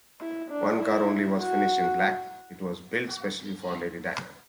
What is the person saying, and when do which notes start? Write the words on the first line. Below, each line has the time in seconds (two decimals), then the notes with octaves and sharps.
One car only was finished in black; it was built especially for Lady Diana.
0.21 E4
0.50 D4
0.80 E4
1.39 F#4